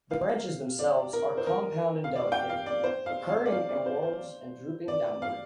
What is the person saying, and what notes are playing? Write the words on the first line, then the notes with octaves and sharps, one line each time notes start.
The branches themselves are compound and delicate, occurring in whorls and drooping downward.
F5
D5
A#4
C5
A#4
F5
D5
G5
F5
D5
C5
F5
F5
D5
F5
D5
C5
C5
D5
F5